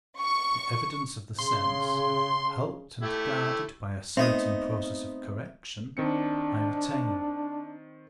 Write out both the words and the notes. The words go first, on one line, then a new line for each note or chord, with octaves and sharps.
The evidence of the sense, helped and guarded by a certain process of correction, I retain.
C#6
C#3 C6
A3 E4 G4
A3 B3 C4 D#4 D#6
D#3 C4 D4 C#7